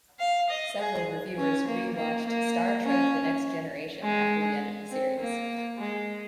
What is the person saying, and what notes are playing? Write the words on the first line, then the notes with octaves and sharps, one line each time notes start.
Several reviewers re-watched "Star Trek: The Next Generation" after the end of the series.
F5
D#5
G#4
C#4
A#3
A#3
A#3
C#4
G#3
C4
A#3
G#3